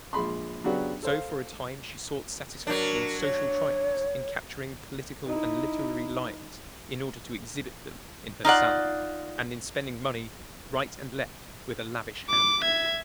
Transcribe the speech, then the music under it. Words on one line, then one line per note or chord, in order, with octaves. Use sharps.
So for a time she sought satisfaction in social triumphs, in capturing political and literary lions in order to exhibit them in her salon, and in spending money right and left with a lavish hand.
A#1 G#3 B5 C6
C#3 F#3 B3 D4 F#4 G4
A4 C5 F5
F#3 D4 A#4
C#5
D#4 E4
D#4 F4 D5 F#5
D6
E5 G#6